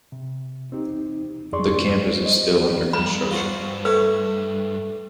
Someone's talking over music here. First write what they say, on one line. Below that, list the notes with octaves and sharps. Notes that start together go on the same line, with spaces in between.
The campus is still under construction.
C3
C4 D#4 G4
F2 G#4 D5 C6 C#6
C5 D#5
G2 B5
F4 F#4 C5
A3 B4 C#5